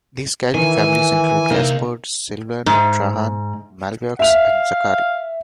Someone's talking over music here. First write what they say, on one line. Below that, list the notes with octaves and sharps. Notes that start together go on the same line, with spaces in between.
These Cajun families include Gaspard, Sylvan, Trahan, Malveaux, and Zachary.
D#3 E3 G#5
C3 A#3 D#4
G#2
E5 F5 F7